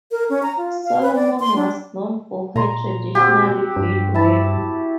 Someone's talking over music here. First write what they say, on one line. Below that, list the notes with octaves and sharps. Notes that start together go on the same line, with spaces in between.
Solomon was known for her traditional beadwork.
A#4
C#4
A#5
F4
F5
B4
D5
C6
D4
A#2 A#5 C6
C4 F#4 G4
G2
E4 A5